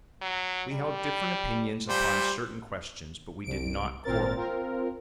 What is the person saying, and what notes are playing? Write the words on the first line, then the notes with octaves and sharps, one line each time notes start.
"We held different opinions upon certain questions, but we did not quarrel."
F#3
G3
A#2 G3 C5
C2 D7
G#1 A#2 C4 A#4 A6
C4 F4 A#4